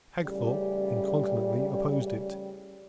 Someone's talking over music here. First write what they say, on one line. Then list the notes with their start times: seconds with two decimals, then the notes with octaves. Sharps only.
Hagthorpe incontinently opposed it.
0.24 A1 C#3 G3